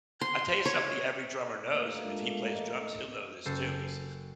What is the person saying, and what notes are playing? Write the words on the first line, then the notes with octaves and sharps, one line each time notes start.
I'll tell you something, every drummer knows, and if he plays drums, he'll know this too. He's,
C6
C#5
G2 A3 A#3 B4 D#5
G#3 D4 F4
A1 D#5
F#1 A4 G6 C7